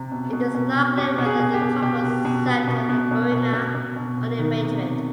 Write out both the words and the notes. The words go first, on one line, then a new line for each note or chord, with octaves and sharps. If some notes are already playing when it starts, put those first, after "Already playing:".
It is not clear whether the couple settled in Burriana or in Madrid.
Already playing: C3
B2
B2
B2
B2
B2 G4
B2
G#4
B2
G4
B2
B2 G4
B2
B2
B2
B2
B2
B2
B2
B2
B2
B2
B2
D#3
C3
C3